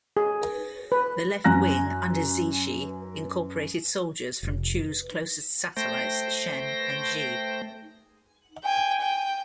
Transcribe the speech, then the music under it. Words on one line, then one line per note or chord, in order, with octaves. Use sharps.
The left wing under Zixi incorporated soldiers from Chu's close satellites Shen and Xi.
G#4
B4
F#2 G#5 A#5 F#6 A#6
F1
A3 C5 G5 A#6
G5 G#5
G5